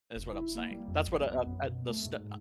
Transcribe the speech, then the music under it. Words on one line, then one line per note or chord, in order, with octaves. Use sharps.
That's what I'm saying. That's what, uh uh, the Sn uh,
F1
E4
A#3
G3
F2
A#1
B3
F#2
B2
A3
G#2